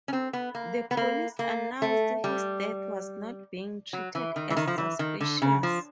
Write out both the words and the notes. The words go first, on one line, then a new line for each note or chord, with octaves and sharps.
The police announced his death was not being treated as suspicious.
C#4
C4
B3
A#3
B3
A#3
A#3
A3
G3
F#3
E3
D#3
E3
D#3
F3
E3
D#3
D3
C#3
F3